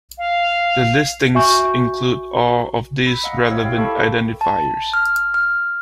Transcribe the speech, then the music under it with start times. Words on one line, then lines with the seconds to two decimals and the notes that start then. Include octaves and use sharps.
The listings include all of these relevant identifiers.
0.18 F5
1.35 F#4 E5 G#5 C#6 G6
3.07 B5 E6 B6
3.24 D#5 F5 F#5 A#5 E6
3.50 C5 C#5 E5 G5 E6 F6
3.65 E4 G4 F5 G5
3.77 A4 F5 A5 B5 C#6
3.92 A4 A#4
4.41 A5
4.94 F6
5.34 F6